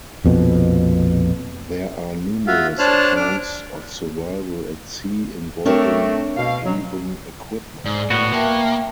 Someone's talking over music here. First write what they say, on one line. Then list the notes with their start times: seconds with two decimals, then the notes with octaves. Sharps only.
There are numerous accounts of survival at sea involving Avon equipment.
0.24 A#1 F2 B2
2.47 F4 F#4 E5 F5
2.79 D4 C5 C#5 A5 F6 F#6
3.16 D4 D6 F6
5.65 A3 C4 D4 A#4 C#5
6.37 B2 F5
6.65 F#3
7.85 G#2 D5
8.10 A2 B3 F#4
8.33 A#3 E5 G5 A5